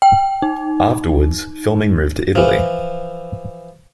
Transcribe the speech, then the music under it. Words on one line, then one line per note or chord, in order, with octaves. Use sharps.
Afterwards, filming moved to Italy.
G5
D#4
E3 F3